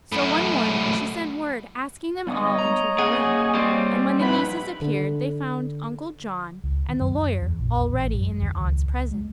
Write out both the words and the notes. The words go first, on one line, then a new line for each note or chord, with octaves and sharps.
So one morning she sent word asking them all into her room, and when the nieces appeared they found Uncle John and the lawyer already in their aunt's presence.
F#2 A2
G3 B3 C#5 D#5
A#5
A#3 C#4 G#4 F#5
G3 C4
F3 D#4 E4 B4 F#5 B5
D3
C#2
D#3
F#2
E2
A#1
A1
F#2
D#2
C#2
G#3